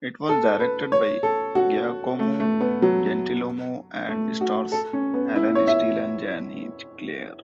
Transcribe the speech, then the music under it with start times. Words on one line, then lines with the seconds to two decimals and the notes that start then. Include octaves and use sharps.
It was directed by Giacomo Gentilomo and stars Alan Steel and Jany Clair.
0.29 A4
0.60 B4
0.92 C#5
1.23 A4
1.55 F#4
2.19 A3
2.40 A3
2.61 B3
2.82 F#3
4.09 A3
4.41 F#4
4.72 A4
4.93 C#4
5.14 B3
5.36 E4
5.55 C#5
5.67 E5